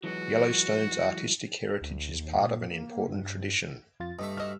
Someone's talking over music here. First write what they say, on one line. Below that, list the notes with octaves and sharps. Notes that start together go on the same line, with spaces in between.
Yellowstone's artistic heritage is part of an important tradition.
E3 F#3 G#3 F#4
D2
D#2
A#2
A#3
G2
F2 F4 A6
G2 A3 D#5 E5
F#4 D#5 E6 F6